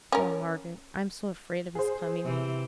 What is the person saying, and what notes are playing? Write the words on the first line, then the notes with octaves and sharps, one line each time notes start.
'Oh, Margaret, I'm so afraid of his coming!
C#4 A#4
G#4 C5
C3 E3